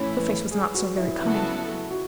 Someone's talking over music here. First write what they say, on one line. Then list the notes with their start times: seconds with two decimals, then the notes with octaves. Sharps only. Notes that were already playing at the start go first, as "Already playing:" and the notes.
The face was not so very cunning.
Already playing: A2 E3 A3 C#4 E4 C#5
0.17 B4
0.51 G#4
0.74 F#4
0.98 E4
1.21 C#3 F#3 B3 E4 F#4 A4
1.56 E4
1.91 F#4